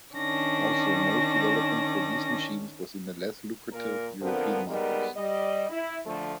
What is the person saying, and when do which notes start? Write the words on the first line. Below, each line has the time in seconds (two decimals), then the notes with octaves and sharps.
Also, most development for these machines was in the less-lucrative European markets.
0.15 D#3 C#4 D4 A#6
3.72 A#2 A#4
4.21 D3 F3 B3 C4 A#4
4.68 G3 G#3 B3 D#4 A#4
5.16 G3 D#5
5.70 E4
6.05 D3 F3 A3